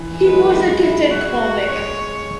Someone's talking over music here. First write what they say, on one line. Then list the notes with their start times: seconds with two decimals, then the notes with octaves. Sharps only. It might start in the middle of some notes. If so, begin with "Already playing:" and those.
He was a gifted comic.
Already playing: E3
0.14 E3
0.23 G#3 B4
0.32 F#3
0.52 G#3 E4
0.82 E4
1.11 F#4
1.70 G#3 C#5